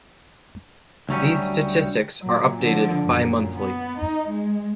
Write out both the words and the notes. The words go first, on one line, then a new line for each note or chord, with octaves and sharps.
These statistics are updated bi-monthly.
D2 F#3 G3 C#4
A#2 F#3
D3 F3
F#2 A#2
B3
D#4
G#3